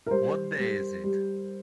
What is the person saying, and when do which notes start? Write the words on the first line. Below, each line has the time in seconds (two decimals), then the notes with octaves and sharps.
What day is it?
0.07 A#4
0.11 G3 C5
0.57 G3
1.04 G3